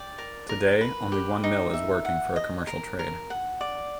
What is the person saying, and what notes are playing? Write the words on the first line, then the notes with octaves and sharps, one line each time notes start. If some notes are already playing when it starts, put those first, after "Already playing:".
Today, only one mill is working for a commercial trade.
Already playing: D5 G5
A#4
A#4
B4
G4
D#4
E5
F#5
D#5
A#4
A#4
F#5
D5